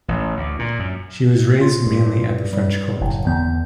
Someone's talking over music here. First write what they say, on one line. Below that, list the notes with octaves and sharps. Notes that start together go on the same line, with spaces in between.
She was raised mainly at the French court.
A1
D2
A#2
F#2
F4
G2
G3
F#1 A2
E2 D3 B3 G6